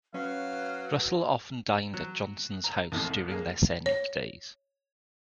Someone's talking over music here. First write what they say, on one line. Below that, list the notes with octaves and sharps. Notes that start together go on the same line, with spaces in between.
Russell often dined at Johnson's house during their Senate days.
F#3 C#4 B4 F5
F#3
A#5
C2 F2 A2 C3
G#3 A#3
C#5